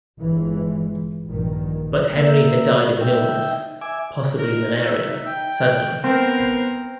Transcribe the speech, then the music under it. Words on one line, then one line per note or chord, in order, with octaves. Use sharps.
But Henry had died of an illness; possibly Malaria, suddenly.
G1 E3 G#3
A#1 G2 D#3
A#3 E5
D#4 E5 G5
E5 G#5 D6
D#4 A#4
E5
G5
B3 C4 A#4 C5